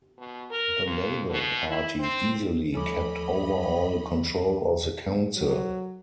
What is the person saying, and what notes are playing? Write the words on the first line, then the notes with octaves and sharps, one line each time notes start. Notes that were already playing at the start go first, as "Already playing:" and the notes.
The Labour party easily kept overall control of the council.
B2
A#4
F2
B2
E4
C4
D#2 F3 A3 C#4 C#5 D#5 B5 D6
F#3